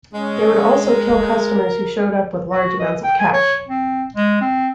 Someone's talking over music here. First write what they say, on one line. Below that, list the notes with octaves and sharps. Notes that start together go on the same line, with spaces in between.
They would also kill customers who showed up with large amounts of cash.
G#3 C#4
A#4
F#4
D#5
G5
G#5
C#5
C4
G#3
C4